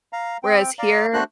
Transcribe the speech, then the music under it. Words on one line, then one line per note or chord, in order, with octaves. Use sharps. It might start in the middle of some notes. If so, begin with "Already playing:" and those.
whereas here,
F5 A#5
C4 G5
D5 F5 A#5
A3 D4 F#4 C5 F#6